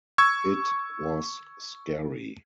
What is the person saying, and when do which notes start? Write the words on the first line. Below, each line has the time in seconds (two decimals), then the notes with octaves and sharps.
It was scary.
0.18 C#6 E6 G#6